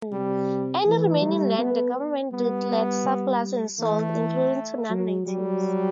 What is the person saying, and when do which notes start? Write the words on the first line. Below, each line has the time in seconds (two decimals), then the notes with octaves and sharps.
Any remaining land the government declared 'surplus' and sold, including to non-Natives.
0.12 C3 G3
0.86 E3 A3
1.22 G3
1.58 B3
2.32 G3 B3
3.79 E3 A3
4.90 F#3
5.27 F#3 G3